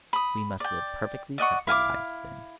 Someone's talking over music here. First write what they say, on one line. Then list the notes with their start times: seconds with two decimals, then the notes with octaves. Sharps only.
We must live perfectly separate lives, then.
0.13 B5 D#6
0.60 D5 G5
1.38 D5 D#5 F#5 C#6
1.67 E4 F5 G#5 D6